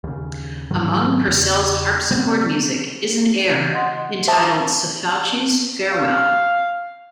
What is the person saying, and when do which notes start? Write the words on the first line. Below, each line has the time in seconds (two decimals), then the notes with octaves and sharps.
Among Purcell's harpsichord music is an air entitled "Sefauchi's Farewell".
0.04 D#2 C#3
0.71 G#2 D#3 F#3
1.28 E2 C#3
2.11 C#3 G3 B3 C4
3.51 C#3 E3
3.72 D#5 F#5 C6
4.28 C5 E5 A5 A#5 D6 D#6
5.91 F5